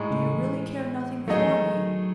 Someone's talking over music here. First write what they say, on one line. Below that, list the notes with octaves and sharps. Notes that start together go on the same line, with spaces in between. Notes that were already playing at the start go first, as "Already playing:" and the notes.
Do you really care nothing for me?
Already playing: A2 G#3 D#4
C#3
E3
D#3 F#3 A3 D#4 G#4 D#5
E3
F#3
F#3